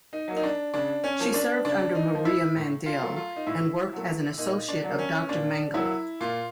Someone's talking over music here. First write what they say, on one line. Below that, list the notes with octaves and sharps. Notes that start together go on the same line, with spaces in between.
She served under Maria Mandel and worked as an associate of Doctor Mengele.
D#4
F#3 A#3
D#4
D4
C#3 D4
C#4
F3 A#3
D4
C#3 D4
D#4
F3 A#3
E4
A2
F4
F#3 A3
F4
D#4
A2 E4
F#3 A3
A#2 D#4
D4
F#3 A#3
C#4
A#2 D4
F#3 A#3 E4
A#2 F4